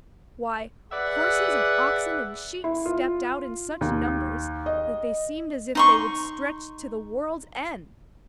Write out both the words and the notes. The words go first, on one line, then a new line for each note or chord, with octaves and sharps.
Why, horses and oxen and sheep stepped out in such numbers that they seemed as if they would stretch to the world's end!
G#4 B4 D5 E5 F#5
E4
F4
D#2
D#5
D#4 C6 C#6